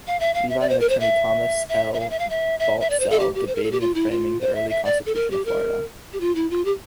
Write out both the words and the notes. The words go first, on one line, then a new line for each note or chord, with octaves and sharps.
Levy and Attorney Thomas L. Baltzell debating and framing the early constitution of Florida.
F5
E5
F5
E5
D5
C5
A#4
C5
E5
E5
E5
F5
E5
F5
E5
E5
E5
D5
C5
A4
G4
G4
C5
A#4
A4
G4
F4
E4
F4
C5
E5
E5
D5
A4
A#4
G4
A#4
G4
F4
E4
F4
G4